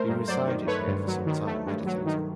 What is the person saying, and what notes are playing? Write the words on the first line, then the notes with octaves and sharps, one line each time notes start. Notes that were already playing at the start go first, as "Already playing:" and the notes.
He resided here for some time meditating.
Already playing: A3 A#4 C5
G2
F#3 C5 D5
D#3
A3 B4 C#5
G2
F#3
D#3
A3
G2
F#3
D#3